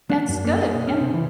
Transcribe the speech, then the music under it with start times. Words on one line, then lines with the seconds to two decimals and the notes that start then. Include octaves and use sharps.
That's good, yeah.
0.10 D4
0.29 F#2
0.44 A#3
0.62 G#4
0.75 B1
0.87 C#4
1.01 C3
1.14 E3